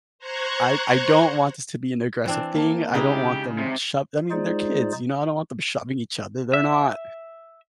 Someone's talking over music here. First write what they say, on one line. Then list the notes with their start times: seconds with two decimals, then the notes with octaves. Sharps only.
I I don't want this to be an aggressive thing, I don't want them shove I mean, they're kids, you know, I don't want them shoving each other. They're not
0.19 C5 A#5 C#6 F#6 G#6
2.26 E3 C4 D4
2.55 A#3 A5
2.94 C#3 G#3 D#4 E4 G4
3.58 C3
4.31 G#3 D#4 F4 G#4 C5 D5
6.53 E5